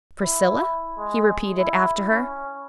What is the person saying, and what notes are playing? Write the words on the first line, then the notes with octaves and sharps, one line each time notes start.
"Priscilla?" he repeated, after her.
E4
G#3
E4
C#4